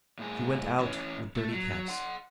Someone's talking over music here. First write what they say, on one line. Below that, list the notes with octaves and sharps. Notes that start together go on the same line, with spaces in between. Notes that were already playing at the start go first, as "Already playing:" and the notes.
She went out, with dirty caps.
A2 G#4
E3 C#4
A3
F#3
F#5 C6